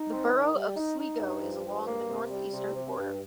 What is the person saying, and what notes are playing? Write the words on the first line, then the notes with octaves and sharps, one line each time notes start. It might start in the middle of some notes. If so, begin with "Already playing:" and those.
The borough of Sligo is along the northeastern border.
Already playing: D#4
C4
D#3
G3
D#4
D#4
G2
F3
G2
A#3
C3
G3
C3
C4
G2